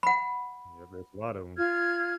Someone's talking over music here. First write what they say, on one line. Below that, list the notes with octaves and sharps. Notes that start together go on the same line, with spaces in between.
Yeah, there's a lot of 'em.
F#5 B5
F4 F6 G#6